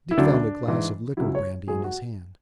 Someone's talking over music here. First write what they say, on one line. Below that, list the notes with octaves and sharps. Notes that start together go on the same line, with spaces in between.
Dick found a glass of liqueur brandy in his hand.
E4
D2 C#3 F#3 D4
G#2 E3
C#2 C#3 F#3 E4
C#5
G#2 F#3 G#4
F#4